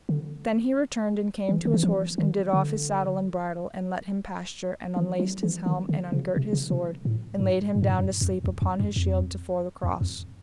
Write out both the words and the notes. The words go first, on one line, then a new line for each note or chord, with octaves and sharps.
Then he returned and came to his horse and did off his saddle and bridle, and let him pasture, and unlaced his helm, and ungirt his sword, and laid him down to sleep upon his shield to-fore the cross.
D3
E3
D#3
E3
F3
D#3
D3
E3
F#3
E3
D#3
D3
C#3
C3
C#3
C3
A2
G#2
G2
G#2
G2
F#2
F2
E2
F2
F#2
F2
E2
F2